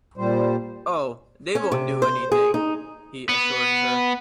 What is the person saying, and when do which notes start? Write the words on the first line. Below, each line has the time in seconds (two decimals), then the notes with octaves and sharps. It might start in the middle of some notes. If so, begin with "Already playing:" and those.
"Oh, they won't do anything," he assured her.
0.17 A#2 G3 C5
1.55 C#4
1.72 C3
2.02 C5
2.32 G#4
2.54 D#4
3.29 B3